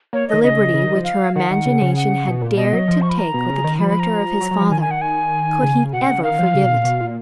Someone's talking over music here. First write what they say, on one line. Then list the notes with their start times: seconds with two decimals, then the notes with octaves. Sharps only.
The liberty which her imagination had dared to take with the character of his father--could he ever forgive it?
0.13 A#3 C#5
0.29 D#3 D#5
0.44 C#3 D#5
0.74 C#3
0.84 D#3
0.95 F3
1.04 F5
1.36 D#3 F#5
1.50 D#3
1.65 C#3
1.81 C#3
1.96 F#5
2.27 B2
2.42 A#2
2.57 B2 D#5
2.73 F#3
2.88 F3
3.02 C#6
3.10 B5
3.19 A#5
3.34 B2
3.49 C#3
3.64 D#3
3.79 F3 B5
3.90 B5
4.00 A#5
4.41 F#3
4.51 F#3
4.61 F3
4.70 D#3 G#5
4.81 G#5
4.91 F#5
5.01 G#5
5.63 C#3
5.93 B2 F#5
6.09 C#3
6.23 D#3 F5
6.39 F3
6.54 C#3
6.64 B2
6.74 A#2
6.84 B2
7.00 A#2